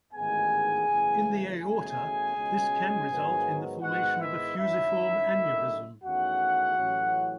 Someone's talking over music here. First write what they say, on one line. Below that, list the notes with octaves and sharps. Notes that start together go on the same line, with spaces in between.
In the aorta, this can result in the formation of a fusiform aneurysm.
A1 G#2 D#3 G#3 B3 G#4 G#5
F#1 E2 C#3 E3 A3
E2 B2 A3 C#4 G#4 G#5
C#2 B2 G#3 C#4
G#2 D#3 F#3 B3
G#2 D#3 G#3 B3 F#4 F#5
E4 E5
F#2 D#3 F#3 C#4 E4 E5
F#1 F#2 D#3 A3 C#4
E2 D#3 A3 C#4 F#4 F#5
A1 A2 F#3 C#4